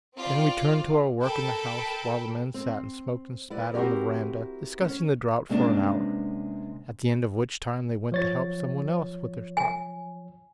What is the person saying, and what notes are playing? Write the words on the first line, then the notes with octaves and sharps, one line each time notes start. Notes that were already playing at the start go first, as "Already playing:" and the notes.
Then we turned to our work in the house while the men sat and smoked and spat on the veranda, discussing the drought for an hour, at the end of which time they went to help someone else with their stock.
C4 F4 D5
A4 A#4 G5 A5 B5
C4
E4 B4 D5
C4 E4 F#4 G4 A#4
C#4 C#5
C3 G#3 A#3 B3 C#4 D4
F3 C#5 A6
G#5